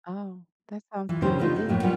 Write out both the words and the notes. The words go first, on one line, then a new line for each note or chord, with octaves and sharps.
Oh, that sounds kinda deep.
E3 F4
C#3 C#4 D#4 G4 C5
G#3 A3 B3 D4 D#4 F4
D#4
F2 A2 A#3
G3 B3 C#4 F4 A#4 F#5